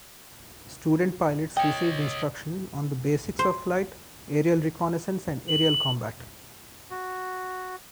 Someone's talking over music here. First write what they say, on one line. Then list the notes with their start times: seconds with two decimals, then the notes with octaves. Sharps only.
Student pilots received instruction on the basics of flight, aerial reconnaissance and aerial combat.
1.57 C#5 D#5 G5
3.39 C5
5.48 F#7
6.91 F#4